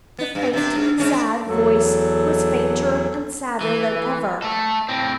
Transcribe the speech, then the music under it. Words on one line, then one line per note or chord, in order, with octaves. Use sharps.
The faint, sad voice was fainter and sadder than ever.
B3
G2
C3 D4
G#2
G#2 C#4 D4
D4
E2 F#3 A4
E3
A3 A4
A2 C4